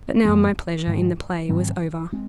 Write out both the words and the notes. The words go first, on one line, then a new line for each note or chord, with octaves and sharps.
But now, my pleasure in the play was over.
F#2 F3 A#3
G#2 D#3 G#3
G#2 D#3 F#3 C4
G#3 C4